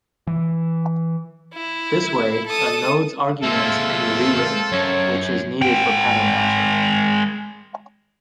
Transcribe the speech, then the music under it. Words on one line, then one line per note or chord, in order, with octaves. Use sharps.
This way, a node's arguments can be rewritten, which is needed for pattern matching.
E3
E4
A4 D#6
G#3 A#3 C4 F4 A4 E5
F#2 C#5
G#3 G5